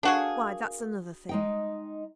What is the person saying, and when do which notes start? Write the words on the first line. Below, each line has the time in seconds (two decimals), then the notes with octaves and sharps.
'Why, that's another thing.
0.03 D4 F#4 G#4 A#4 F5 G#5
1.29 G#3 D#4 G5